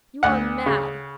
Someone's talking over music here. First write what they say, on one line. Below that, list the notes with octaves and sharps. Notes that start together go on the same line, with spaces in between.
'You are mad!
D2 F#5
C#3